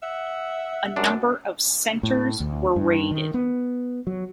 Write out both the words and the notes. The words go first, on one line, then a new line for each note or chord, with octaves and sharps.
A number of centers were raided.
E5 F#5
F#2 D4
A2
D2
G2
D#3
B3
F#3